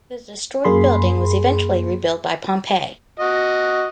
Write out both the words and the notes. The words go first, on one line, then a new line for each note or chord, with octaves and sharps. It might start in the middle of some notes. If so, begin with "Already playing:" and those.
The destroyed building was eventually rebuilt by Pompey.
F#2 A#3 G#4 B5 C6
F#4 D#5